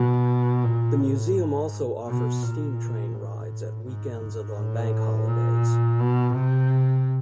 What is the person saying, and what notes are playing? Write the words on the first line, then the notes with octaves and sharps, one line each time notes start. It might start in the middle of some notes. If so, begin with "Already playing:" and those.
The museum also offers steam train rides at weekends and on bank holidays.
Already playing: B2
A#2
A2
G#2
B2
A#2
A2
G#2
A2
A#2
B2
C3